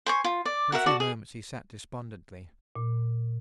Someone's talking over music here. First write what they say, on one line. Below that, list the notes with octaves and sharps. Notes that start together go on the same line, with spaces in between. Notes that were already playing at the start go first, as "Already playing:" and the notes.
For a few moments he sat despondently.
C5 G#5 C#6
F4
D5
F#4 A#4 E5 F#5
F#4 A4 D5
G#4
A#2